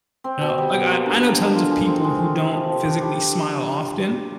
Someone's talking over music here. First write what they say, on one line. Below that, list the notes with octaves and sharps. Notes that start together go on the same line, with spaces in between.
You know? Like, I I know tons of people who don't physically smile often,
C4
B2
G3
B2
A#3
D3
F#3
D3
F4
G#3
C4
G#3
A3
C3
F3
C3
D4
G3